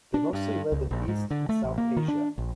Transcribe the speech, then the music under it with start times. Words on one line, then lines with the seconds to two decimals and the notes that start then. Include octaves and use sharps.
They mostly live in East and South Asia.
0.14 D4
0.33 G2
0.72 C#2
0.91 A#1
1.08 G#2
1.31 D3
1.49 A3
1.64 A1
1.78 A#3
1.96 D#3
2.08 D4
2.38 A#1